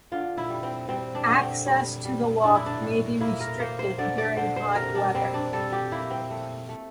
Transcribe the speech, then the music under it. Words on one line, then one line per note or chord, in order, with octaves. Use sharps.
Access to the walk may be restricted during hot weather.
D3 F4
E4
G3
C4
G3 C4
D4
D3
C4
G3
G3
A2 D4
E4
D4
A2
A#3 E4
A#4
A#3 C5
C5
D3 D5
D5
D3 C5
C5
C3 A#4
D4
G3 C4
D4
G3 A4
G4
A#3 E4
C4
A3
A3